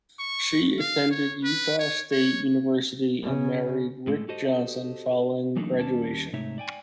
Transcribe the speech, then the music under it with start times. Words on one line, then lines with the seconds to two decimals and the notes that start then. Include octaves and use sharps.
She attended Utah State University and married Rick Johnson following graduation.
0.19 C#6
0.80 F5
1.11 C#5
1.44 B4
1.79 C#5
2.12 C#5
3.23 C#3
4.07 A2 G#3 A3
4.29 F#4 G4 A4 C5 D#5
5.56 E3 F#3 A3 A#3 D4 D#4
5.77 D#2 G3 C#4 A5
6.33 G#2 C3 A3 D#4 C#5 E5
6.58 D5 G5 G#5